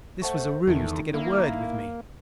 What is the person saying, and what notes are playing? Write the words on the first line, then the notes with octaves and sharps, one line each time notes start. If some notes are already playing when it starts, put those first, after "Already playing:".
This was a ruse to get a word with me.
A3 C5 F#5 A5 C#6
E2 D#3 A3 D#4
A#3 E4